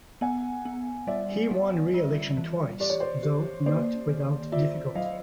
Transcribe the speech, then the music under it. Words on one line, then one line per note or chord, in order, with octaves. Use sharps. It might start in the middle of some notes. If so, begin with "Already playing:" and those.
He won re-election twice, though not without difficulty.
B3 F#5 G#5
B3
G3 D5 E5
G3
F4
E3
G4 D5
C#5
C5 D5
G4
A#3 C5 D5
D#3
F4 D5 E5
F#3 D#5 F5